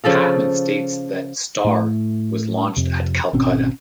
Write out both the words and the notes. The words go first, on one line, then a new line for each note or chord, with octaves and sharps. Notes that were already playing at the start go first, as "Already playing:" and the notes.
Hackman states that "Star" was launched at Calcutta.
C#3 F3 A4 F5
A2 A3
F2 C3
G#1 B2 C4 C#4